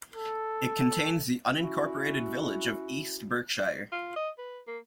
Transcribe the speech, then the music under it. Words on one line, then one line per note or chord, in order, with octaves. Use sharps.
It contains the unincorporated village of East Berkshire.
A4
C#4 E4 F#4
F4
D#5
B4
A#3